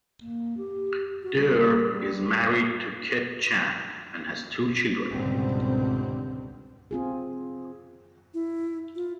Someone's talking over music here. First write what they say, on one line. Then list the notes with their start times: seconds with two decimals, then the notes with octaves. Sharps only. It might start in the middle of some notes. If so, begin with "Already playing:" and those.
Duerr is married to Kit Chan, and has two children.
0.21 A#3
0.57 G4
1.23 F#4
1.37 G3
1.92 G3
5.11 C#2 G#2 B2 D3 G3 C4
6.91 C4 F4 G#4
8.34 E4
8.96 F4